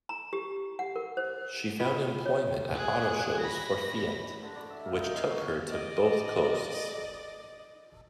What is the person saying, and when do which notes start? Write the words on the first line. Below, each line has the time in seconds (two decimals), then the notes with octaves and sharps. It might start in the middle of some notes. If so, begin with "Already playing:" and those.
She found employment at auto shows for Fiat, which took her to both coasts.
0.09 A#5
0.33 G4
0.79 F#5
0.96 A#4
1.17 C5
1.80 F4
2.26 C#5
2.73 G#4 F#6
3.40 B5 A#6
4.43 D3
4.56 D5
4.70 E5
4.85 A#3
4.98 D#4
5.16 F5
5.30 F#4
5.70 D5 D#5